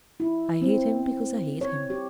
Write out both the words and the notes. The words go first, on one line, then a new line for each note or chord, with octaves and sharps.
I hate him because I hate him.
E4
C4
C#5
G4